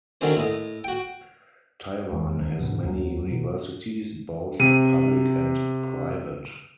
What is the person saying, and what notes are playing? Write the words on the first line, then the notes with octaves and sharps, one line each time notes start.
Taiwan has many universities, both public and private.
D3 D#3 F#3 C#4 C5
A2 D#5
F#4 G5
E2 G#3
D2 D#3 F3 F#3
G#2 B2 D3 B3
D#2 F#3 C#4
B2 F#3
C3 D#7